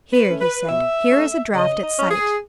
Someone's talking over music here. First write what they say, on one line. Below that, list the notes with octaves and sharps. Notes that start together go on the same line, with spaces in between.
"Here," he said, "here is a draft at sight."
B4
A3 C#4
B4
B2 E5
A3 C#4
C#3 D#5
D#5
F#3 C#4
G#4